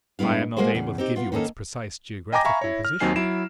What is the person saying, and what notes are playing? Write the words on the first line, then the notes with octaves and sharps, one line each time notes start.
I am not able to give you its precise geographical position.
G2 G#3 B3 E4 F5
G#3 A#3 F#4 G#4 C5
E2 C#3
C4 D#4 G4
B3 F4
D#3 A#3 C#4 D#4 A4
D#5 G5 G#5 A#5 D6 A#6
E5 F5 G#5 A#5 B5 C#6
E4 C#5
F6
D#2 F#3 C4 D#4 G#5 C7
F#3 E4 C7 D7 E7